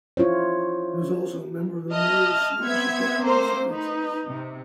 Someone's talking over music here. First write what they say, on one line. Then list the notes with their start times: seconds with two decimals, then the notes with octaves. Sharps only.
He was also a member of the Royal Swedish Academy of Sciences.
0.17 E4 F4 C5 C#5
1.92 D#5 E5 A5 F6
2.64 B3 C4 E5 G#6
3.24 A3 A#3 C5
3.69 D#4 B4
4.27 C3